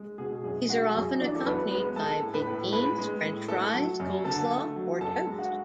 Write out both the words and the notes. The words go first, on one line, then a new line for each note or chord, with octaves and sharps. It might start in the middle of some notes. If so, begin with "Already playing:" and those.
These are often accompanied by baked beans, french fries, coleslaw, or toast.
Already playing: G#3
B2 G#4
F#2 G#4
G#3 F#4
F#2 G#4
E3 D4 D5
A4
F#2 B3 B4
G#3 B3 B4
G#3 A4 A5
A2
B4 B5
A2
G#3 B4 B5
G#3
A2
A3 A4 A5
F#3
F#2
D3 A4 A5
A3
F#3
F#2 A4 A5
G#3
F#4 F#5